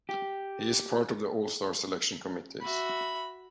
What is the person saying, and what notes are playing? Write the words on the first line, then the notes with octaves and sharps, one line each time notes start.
He is part of the All Star selection committees.
G4
F#4 E5 B5